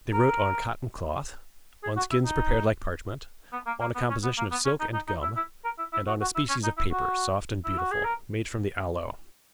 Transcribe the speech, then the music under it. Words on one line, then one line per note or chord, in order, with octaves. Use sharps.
They wrote on cotton-cloth, on skins prepared like parchment, on a composition of silk and gum, and on a species of paper, soft and beautiful, made from the aloe.
A#4
G#4
F#4
E4
D#4
B3
A#3
A#3
B3
C#4
B3
A#3
B3
C#4
D#4
D#4
D#4
E4
E4
A#4
E4
E4
F#4
F#4
E4
C#4
D#4
E4
F#4
E4
F#4
G#4
A#4